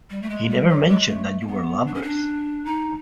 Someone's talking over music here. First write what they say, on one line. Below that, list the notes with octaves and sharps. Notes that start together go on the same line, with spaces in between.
He never mentioned that you were lovers.
G3
A3
G#3
G3
F#3
G#3
A3
A#3
B3
D4
C#4
D4
D#4